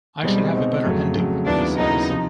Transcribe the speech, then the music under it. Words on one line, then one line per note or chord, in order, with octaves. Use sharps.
'I should have a better ending,' he says.
B2 G3 G#3 C4 D#4
B2 G#3 C4 D#4
F2 C#3 F#3 A3
F2 C#3 F#3 A3
D#2 C#3 F#3 B3 D4 E4
D#2 C#3 F#3 B3 D#4 E4
C3 F3